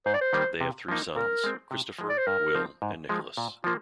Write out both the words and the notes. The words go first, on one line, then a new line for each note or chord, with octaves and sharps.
They have three sons: Christopher, Will, and Nicholas.
G#2 C5
D5
C5
D#3 G3 A#3
C3
F3 A#3 D#4
A#2 A#4
G#3 C4
C3
F3 G#3
D5
C5
G2 A#4
F3 C4 D#4
G#2
F3 G#3
A#2
F3 A#3 F4